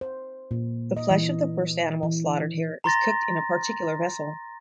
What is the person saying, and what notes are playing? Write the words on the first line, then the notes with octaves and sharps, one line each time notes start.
The flesh of the first animal slaughtered here is cooked in a particular vessel.
C5
A#2
D#5
E3
E3
A#5 C6 A6 A#6